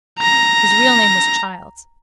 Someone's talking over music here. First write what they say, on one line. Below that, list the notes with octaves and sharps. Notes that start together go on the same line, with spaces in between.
His real name was Childs.
A#5 A#6